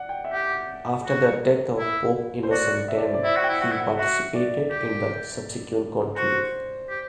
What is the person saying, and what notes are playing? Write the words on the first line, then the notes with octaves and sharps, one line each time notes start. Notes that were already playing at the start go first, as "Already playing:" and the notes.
After the death of Pope Innocent X, he participated in the subsequent conclave.
Already playing: D5 F#5
G5
E5
G4 F#5
F#4
E4
C5
F#4 D5
E5
D5
C5
D5
E4 E5
F#4 F#5
G5
E4
F#4 F#5
E4
F#5
F#4 E5
D5
G4
F#4 C5
G4